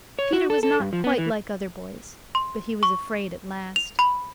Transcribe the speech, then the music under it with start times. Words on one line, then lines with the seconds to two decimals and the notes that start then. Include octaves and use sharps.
Peter was not quite like other boys; but he was afraid at last.
0.19 C#5
0.33 F#4
0.50 A4
0.63 A4
0.80 G2
0.93 F3
1.04 B3
1.18 E3
2.35 C6
2.83 C#6
3.76 F7
3.99 B5